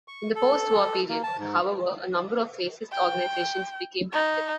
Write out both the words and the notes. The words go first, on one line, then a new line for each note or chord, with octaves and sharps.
In the post-war period, however, a number of fascist organisations became active.
C#6
A4
A#3
A5
G#2
G5
D#4